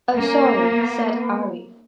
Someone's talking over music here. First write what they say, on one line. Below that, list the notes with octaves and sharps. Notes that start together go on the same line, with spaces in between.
"Oh, sorry," said Ari.
A#3 C#4
B3